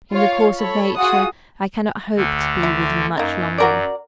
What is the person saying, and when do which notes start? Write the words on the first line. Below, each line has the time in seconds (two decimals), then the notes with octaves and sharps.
In the course of nature, I cannot hope to be with you much longer.
0.13 F4 C#5 F5
0.57 A4 C#5 B5
0.98 F4 F#4 G#4 F#5 D#6
2.16 D2 D3
2.63 E4
3.17 F#2 A#3 D#4
3.58 F#4 A#4 D5